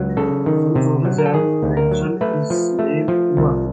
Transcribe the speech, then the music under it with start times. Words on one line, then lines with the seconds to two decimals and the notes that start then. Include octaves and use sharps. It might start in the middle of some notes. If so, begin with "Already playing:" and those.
Some sources have mentioned his name Umar.
Already playing: C#2 F#3
0.17 C#3 A4
0.46 D#3
0.75 C3
1.05 F#3
1.18 A#4
1.26 A4
1.34 D#3 G#4
1.63 D2
1.77 A#4
1.91 F#3
2.21 A3 B4
2.50 F3
2.79 A3
3.08 F3
3.37 C2